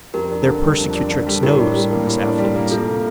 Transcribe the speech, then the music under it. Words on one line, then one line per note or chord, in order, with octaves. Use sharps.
Their persecutrix knows of this affluence.
F2 G4 A#4
D4
D3
G3
F2
D4
D3
G3
A2 G4 A#4
D4
G3
A#3
A2
D4
G3
A#3
C3 F4 A4
C3